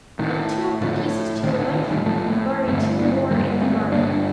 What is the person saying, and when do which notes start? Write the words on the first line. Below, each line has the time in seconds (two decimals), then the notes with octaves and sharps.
Give two of the pieces to your wife, and bury two more in the garden.'
0.19 A2 D#3
0.81 A2 D3 F3
1.43 A2 D#3
1.59 D3
1.74 D#3
1.90 D#3 G3
2.06 A2 F3 A3
2.68 G2 D3 A3 C4
2.99 A#3 D4
3.30 G2 D3 G3 A#3
3.61 A3 C4
3.92 G2 D3 A#3 D4